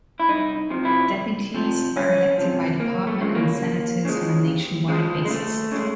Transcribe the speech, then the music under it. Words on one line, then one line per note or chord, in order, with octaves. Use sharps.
Deputies are elected by department and Senators on a nationwide basis.
E4
C2 D#4
C3 F3
E4
C2
C3 F3
C2 C#4
C3 F3
D#2 A#3
A3
C#3 F3 G#3
A#3
D#2
C#3 F3 G#3
D#2
C#3 F3 G#3
G#3
D#2 A3
C#3 F3 G#3